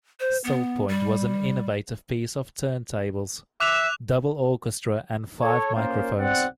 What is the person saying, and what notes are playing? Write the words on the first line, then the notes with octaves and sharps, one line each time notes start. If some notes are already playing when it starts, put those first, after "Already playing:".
"Still Point" was an innovative piece for turntables, "double orchestra" and five microphones.
C5
B3
G3
E5 D6 F#6 F7
A4 C#5
A#3 C#4 F4 A#4 C5
B1 C4 D5 F#5